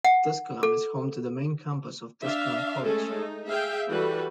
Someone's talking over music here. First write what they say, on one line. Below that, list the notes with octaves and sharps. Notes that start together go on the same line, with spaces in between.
Tusculum is home to the main campus of Tusculum College.
F#5
A4
D4 E5 F5
G#3 A3 C#4 G#4 A4
D#4
G#4 E5 F5 G5
E3 G3 F#4 A4 B4